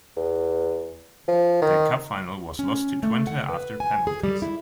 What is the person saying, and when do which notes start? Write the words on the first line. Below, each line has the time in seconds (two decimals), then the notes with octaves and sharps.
The cup final was lost to Twente after penalties.
0.17 E2
1.28 F3
1.62 D#3
2.59 C#4
3.03 A3
3.27 F#5
3.49 B4
3.80 G#5
4.07 G#4
4.23 G3
4.42 E4